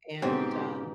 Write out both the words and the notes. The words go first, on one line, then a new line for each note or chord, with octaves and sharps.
and, um,
G#2 B2 C4 G4